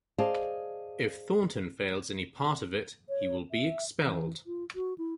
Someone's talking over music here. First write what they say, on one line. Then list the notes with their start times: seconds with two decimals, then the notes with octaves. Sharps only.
If Thornton fails any part of it, he will be expelled.
0.18 G#4 C5 D5 D#5 F5 A5
3.09 C#5
3.51 E5
4.01 E3
4.47 F4
4.76 F#4
4.98 E4